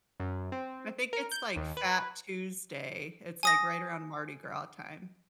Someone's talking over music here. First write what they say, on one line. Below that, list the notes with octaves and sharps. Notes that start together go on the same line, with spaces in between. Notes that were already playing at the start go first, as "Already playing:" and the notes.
I think it's, like, Fat Tuesday. It's, like, right around Mardi Gras time.
F#2
C4
A#4
G6
D#2
B4
G#5 D#6 A#6